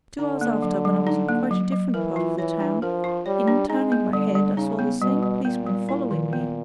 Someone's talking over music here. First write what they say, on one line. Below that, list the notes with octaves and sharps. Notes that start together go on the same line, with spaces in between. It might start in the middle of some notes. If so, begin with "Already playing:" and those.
Two hours after, when I was in quite a different part of the town, in turning my head I saw the same policeman following me.
D3 D#4
A#3
F#3
F#3
D#4
A#3
F#3
F#3
E3 A#4
F4
E3 C#5
D4
F3 A#4
F4
G3 C#5
D4
G#3 D#4
B3
D3 G3
G3
C#3 D#4
B3
B2 G3
G3
A#2 B3
G3
E4
D#3
B3